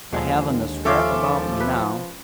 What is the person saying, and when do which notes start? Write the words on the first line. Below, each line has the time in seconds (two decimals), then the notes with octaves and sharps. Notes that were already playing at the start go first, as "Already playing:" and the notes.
I haven't a scrap about me now.
0.13 D#2 D3 F3 G#3 D4
0.85 F3 C#4 F4 A4 E5 F5 D6
1.60 B4